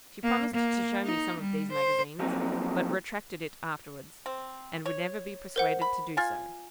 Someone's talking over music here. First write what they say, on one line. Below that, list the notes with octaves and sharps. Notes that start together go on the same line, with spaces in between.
She promised to show me some of these magazines, but retracted it afterwards, and would never be persuaded to do so.
A#3
A#3
D#4
G3
C5
F2 F3 F#3 A3 A#3 C4
C4
C#5
A#4 C5 F#5
B5
F4 G#5